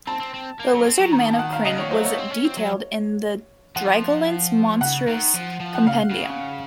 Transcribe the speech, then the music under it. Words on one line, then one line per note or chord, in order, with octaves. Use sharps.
The lizard man of Krynn was detailed in the "Dragonlance Monstrous Compendium".
C4 A5
C4
C4
A#3
F#3
C4
F#3
D#3 A#5
A5
F#5
F5
C#3 D#5
D#3 C#5
F#3 C5
A3 C#5
C4
C#4
C4
F#3
F3 F#5
C#3 F#5
D#3
F3
F3
F#5
C#3 F5
C#3